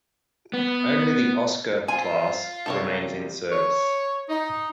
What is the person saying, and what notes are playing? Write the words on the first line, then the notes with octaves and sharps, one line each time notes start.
Only the Oscar-class remains in service.
B3
C4 F4 G#5
C3 G3 A4 A#4 C#5
C#5
D#4